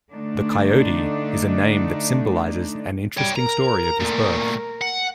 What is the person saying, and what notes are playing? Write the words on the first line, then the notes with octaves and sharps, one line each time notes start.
The "Coyote" is a name that symbolizes an interesting story of his birth.
D3 A3 D4 D#4
G3 C#5 G5
A#4 A#5
A#2 A3
F#5